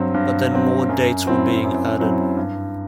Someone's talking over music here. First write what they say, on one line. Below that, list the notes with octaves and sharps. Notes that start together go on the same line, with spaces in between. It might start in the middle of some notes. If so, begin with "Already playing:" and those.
But then more dates were being added.
Already playing: G2 F#3 C4
G2
F#3 C4
F#2
F#3 C4 E4
F#2
F#3 C4 E4
G2